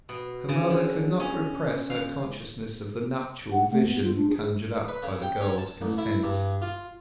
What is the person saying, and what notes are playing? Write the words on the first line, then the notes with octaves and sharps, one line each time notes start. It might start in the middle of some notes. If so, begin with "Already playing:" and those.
Her mother could not repress her consciousness of the nuptial vision conjured up by the girl's consent.
B2
C#3
D3
C#4
F5
F#5
A3
B3
F4
D4
G#4
B4
C#3
G5
C#4
A5
A1
E4
G2
F4